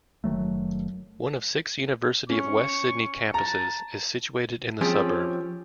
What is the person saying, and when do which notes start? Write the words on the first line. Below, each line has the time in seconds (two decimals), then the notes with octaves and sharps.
One of six University of Western Sydney campuses is situated in the suburb.
0.24 F#1 D#3 F#3 A3
2.30 C#4 C#6
3.34 A5 A#5
4.81 F3 C4 C#4 G4 G#4